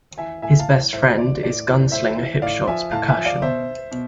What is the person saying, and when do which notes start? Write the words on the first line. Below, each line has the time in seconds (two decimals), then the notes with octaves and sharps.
His best friend is gunslinger Hipshot Percussion.
0.18 E3 E5 G#5
0.42 A2 E5 G#5
0.59 F5 A5
0.68 E3
0.93 A2 C5 E5
1.17 E3 D5
1.43 A2 D5
1.68 E3
1.92 A2 C5 E5
2.17 E3
2.42 A2 D5 F5
2.67 F3 E5 G#5
2.91 A2 F5 A5
3.09 E5 G#5
3.17 F3
3.25 D5 F5
3.41 B2 C5 E5
3.92 B2